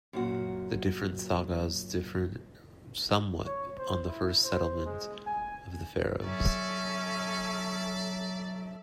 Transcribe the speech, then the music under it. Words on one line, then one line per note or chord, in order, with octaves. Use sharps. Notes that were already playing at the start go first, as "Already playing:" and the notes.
The different sagas differ somewhat on the first settlement of the Faroes.
F#2 A#2 F#4
C#5
C5
E4
C5
G#3
G#5
F#3 C#4 A4 D5 E5